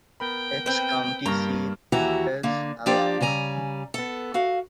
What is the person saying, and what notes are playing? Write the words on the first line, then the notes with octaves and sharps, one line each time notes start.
Its county seat is Hallock.
B3 A#4 G5 B5
C4 B4
G2 A#3 A#5 C#6 F6
D#2 E3 E4 F#4 G4 A#5
D3 A#3
F3 A#3 D4 F4 G4 D5
C#3 G3 G#5 A#5
B3 A4
F#4 F5